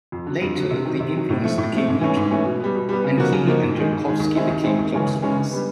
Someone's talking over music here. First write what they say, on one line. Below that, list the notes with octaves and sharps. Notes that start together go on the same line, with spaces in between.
Later the influence became mutual, and he and Tarkovsky became close friends.
F2
D3 F#3
F2
D3 F#3
C3
D#3 F#3
C3
D#3 F#3
A2
F3 A3
A2
F3 A3
G#2
E3 A3 C#4
G#2
E3 A3 C#4
B2
G3 B3
B2
G3 B3
C#3
F3 A#3 D#4 F#4
C#3
F3 A#3 D#4 F#4
G#2
D#3 G#3
G#2
D#3 G#3
D#2
D#3 G#3 C4 E4
D#2
D#3 G#3 C4 E4
D#2
C#3 E3 G#3 C#4
D#2
C#3 E3 G#3 C#4
D3
G3 B3